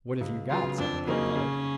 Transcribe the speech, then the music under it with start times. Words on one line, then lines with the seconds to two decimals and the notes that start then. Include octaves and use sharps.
"What have you got?" said the Poor Brother.
0.21 C#2
0.50 C#3 F#3 B3 F4
0.78 F2 D4
1.07 C#3 F#3 A#3 C#4 D#4
1.35 C#3